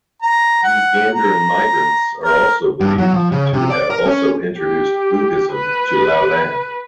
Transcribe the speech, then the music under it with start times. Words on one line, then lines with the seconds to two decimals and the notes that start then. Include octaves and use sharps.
These Gandharan migrants are also believed to have also introduced Buddhism to Loulan.
0.22 A#5
0.63 F#5
1.14 A#5
2.23 A#4
2.80 G2
2.98 F#3
3.14 F3
3.32 C#3
3.53 C3
3.70 D5
3.90 A#4
4.07 C#4
4.58 G4
5.52 B4